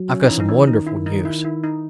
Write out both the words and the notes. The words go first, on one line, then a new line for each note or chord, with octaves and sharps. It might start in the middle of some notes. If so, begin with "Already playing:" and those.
"I've got some wonderful news."
Already playing: F#3
C#4
D#4
E3 C#4
D#4
C#4
D#3 D#4
E4
D#4
E4
E4
D#4